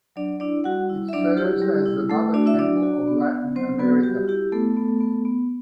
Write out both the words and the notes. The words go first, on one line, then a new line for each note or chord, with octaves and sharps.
It serves as the mother temple of Latin America.
F#3 D4 D5
D4 E4 D5
G3 F#4 F#5
E4
E5
F#3 D4 D5
E4 G4
G3
E4
A3 A4
D4 F#4 D5
E4 E5
F#3 D4 D5
F#4
B3
B3
F#3 C4 C5
B3 F#4 B4
G3 G4
E4 G4
A3 B3 A4
B3
B3
B3